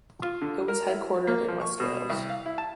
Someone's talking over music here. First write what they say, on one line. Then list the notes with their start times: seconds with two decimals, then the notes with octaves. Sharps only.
It is headquartered in west Wales.
0.22 F4
0.42 D3
0.68 A#4
0.88 E4
1.27 A#3
1.48 F3
1.61 C#6
1.80 B2
2.10 C2
2.30 F5
2.46 E4
2.58 A5